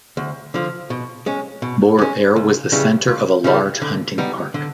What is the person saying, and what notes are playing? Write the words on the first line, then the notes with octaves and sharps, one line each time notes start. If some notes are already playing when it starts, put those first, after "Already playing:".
Beaurepaire was the centre of a large hunting park.
D2
D3 F3
B2
G#3 C#4
B2
G#3 C#4
C#2
C#3 E3 G3
C#2
C#3 E3 G3
D3
G3 B3 D#4
D3